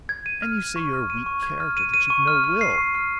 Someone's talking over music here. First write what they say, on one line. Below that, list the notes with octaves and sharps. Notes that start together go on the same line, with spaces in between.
"And you say you're a weak character, that you've no will."
G#6
D#7
F6
D#7
C#6
F6
D#7
C#6
G#6
F6
D#7
D#7
C#6
F6
F6
C7
C#6
F6